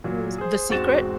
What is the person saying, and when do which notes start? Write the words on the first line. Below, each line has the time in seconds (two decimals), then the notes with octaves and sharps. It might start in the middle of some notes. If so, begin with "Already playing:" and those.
what was The Secret
0.04 A#2 F#3
0.38 G#4 C5
0.69 E1 G#2 C4 F#4 A6 E7